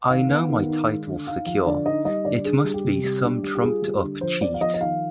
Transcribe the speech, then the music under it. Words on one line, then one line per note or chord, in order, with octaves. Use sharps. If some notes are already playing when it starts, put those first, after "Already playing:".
I know my title's secure, it must be some trumped-up cheat.
D#3 F5
B3
D#3
D#4
G#3
D3
D#4 F5
F3 F5
D3 D5
D#4 D#5
G3 D#5
D3 D5
D4 G#4
G3
G4
C3
G3
D4
G3
G4
F4 G#4
G3
D3
F3 C5
B3 D5
F5
F3 D#5
D#5
D#3 F5